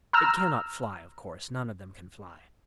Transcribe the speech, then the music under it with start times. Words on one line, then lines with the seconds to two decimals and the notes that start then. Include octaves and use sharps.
It cannot fly, of course: none of them can fly....
0.13 A#5 E6 F6